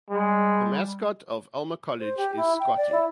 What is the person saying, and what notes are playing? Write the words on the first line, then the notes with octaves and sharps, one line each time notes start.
The mascot of Alma College is Scotty.
G3 G#3
C5
G4
E4
G5
D5
E4